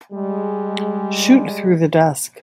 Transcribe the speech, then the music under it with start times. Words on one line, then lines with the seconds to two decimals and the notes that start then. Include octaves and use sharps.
Shoot through the desk.
0.13 G3 G#3